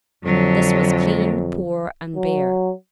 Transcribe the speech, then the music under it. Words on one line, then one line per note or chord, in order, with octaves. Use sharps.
This was clean, poor, and bare.
F2 D3 F#3
F#3